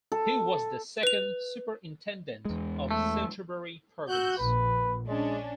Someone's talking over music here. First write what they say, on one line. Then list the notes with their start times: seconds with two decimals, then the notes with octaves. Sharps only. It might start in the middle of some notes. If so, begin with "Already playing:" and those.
He was the second Superintendent of Canterbury Province.
0.12 A4
1.03 B4 F7
2.45 E2 G#3
2.91 A3
4.09 F#4 E6 F#6 G6
4.38 A#1 B4
5.08 G#3 C#4 D4